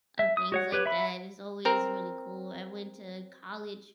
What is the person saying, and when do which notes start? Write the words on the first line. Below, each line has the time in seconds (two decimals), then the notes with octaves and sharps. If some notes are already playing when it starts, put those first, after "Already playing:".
of things like that. It's always really cool. I went to college
0.19 E5
0.37 D#6
0.52 F#4 C#5 F#5
0.72 G4 B4 C#5
0.86 E5 B5
1.65 C4 A#4